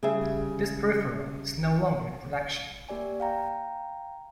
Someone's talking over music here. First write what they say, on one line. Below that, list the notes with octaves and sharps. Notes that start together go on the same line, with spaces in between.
This peripheral is no longer in production.
C#3 G3 G#4 E5
A#3 G4 D5 G#5
F5 G5 A#5